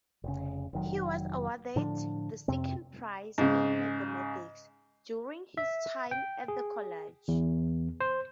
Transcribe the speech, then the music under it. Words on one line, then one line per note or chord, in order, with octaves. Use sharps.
He was awarded the second prize in mathematics during his time at the college.
F1 C#3
F1 D#3 F#3
A2 D3 F3 D4
F2 C3 C4
G#2 C#3
E5
G5
G#4
E2
C5